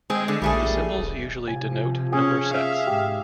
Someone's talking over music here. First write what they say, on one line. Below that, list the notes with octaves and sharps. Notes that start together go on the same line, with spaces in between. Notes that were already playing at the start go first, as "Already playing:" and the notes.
The symbols usually denote number sets.
G#3 C4 G#4
D3
A#1 G3 A3 G#4
D#1
C3 F3 G#5
C#4 G#4
E5 F5
G#2 G4